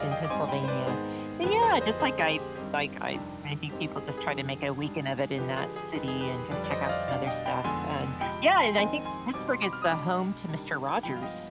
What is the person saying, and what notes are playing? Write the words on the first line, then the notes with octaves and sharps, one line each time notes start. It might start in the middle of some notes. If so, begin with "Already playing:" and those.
in Pennsylvania. But, yeah, just, like, I like I I think people just try to make a weekend of it in that city and just check out some other stuff. And, yeah, and I think Pittsburgh is the home to Mister Rogers.
Already playing: F2 D#3 G3 G#4 D5 D#5 F5
D#5 G5
D6
G#2 G3 C4 D#4 G#5 C6
G5 B5
C5
B4 D5
G#2 D#3 B3 G#4 C5
F2 D3 F3 B3 G4 B4
G#4 C5
C5 D#5
D3 G#3 C4 G#4 C5
G#4
G4
G2 D#3 G3 C4 D#4 G4
F2 C3 D#3 G3 D4
G2 D#3 G#3 C4 D#4 G4
G#4
B4
G#4
F2 D3 G3 D4
G#2 G3 D4
D3 F3 G#3 G4 B4
G#4
G#4
F2 D#3 G#3 B4
G#4
G4 B4
F2 D3 G3 B4 D5
D5
C5 D#5
D#5
D5 F5
B2 G3 D4 D5 F5
D#5 G5
G5 B5
F2 D3 G#3 B3 D#4 G#5 C6
C3 F3 G#3 G5 B5
G#5 C6
F2 D#3 G#3 C4 D#4 G#5 C6
G#5 C6
B2 G3 C4 D#4 D6
C6
B5 D6
F6
D#6
B2 G#3 D4 B5 D6
C3 D#3 G3 D4
G2 F3 G#3 B3 G5 B5
F5
D#5 G5